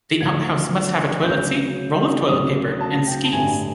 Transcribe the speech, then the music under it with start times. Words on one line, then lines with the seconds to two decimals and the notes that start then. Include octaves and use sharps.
The outhouse must have a toilet seat, roll of toilet paper, and skis.
0.21 D2 D3 F3 G#6
1.25 D2 C#3 F#3 G6
2.29 D2 C#3 F#3 D#6
2.81 A5
3.07 G5
3.24 A5
3.33 A1 G2 D3 G#5